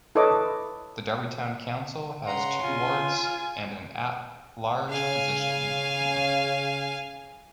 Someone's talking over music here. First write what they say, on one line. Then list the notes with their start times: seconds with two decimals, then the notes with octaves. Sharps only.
The Darby Town Council has two wards and an at-large position.
0.15 E4 A4 B4 C#5 D#5 D6
2.27 C#3 F#5 A#5 C6
2.63 F4 G#5
4.89 C#3 F5 G#5